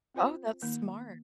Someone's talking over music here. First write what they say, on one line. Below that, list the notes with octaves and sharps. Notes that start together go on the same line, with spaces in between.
Oh, that's smart.
C4 F4 C5
D#3 A#3 D#4